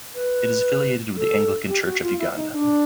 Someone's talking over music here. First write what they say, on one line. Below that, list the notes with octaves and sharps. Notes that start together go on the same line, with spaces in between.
It is affiliated with the Anglican Church of Uganda.
B4
A4
G4
F#4
F4
E4
D#4
D4